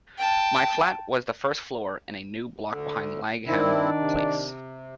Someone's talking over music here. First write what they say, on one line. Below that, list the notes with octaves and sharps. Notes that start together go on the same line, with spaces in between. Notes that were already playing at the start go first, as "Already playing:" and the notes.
My flat was the first floor in a new block behind Langham Place.
G5 A5
D2 D3
G2 D#3 C4 D4 E4 D5
C3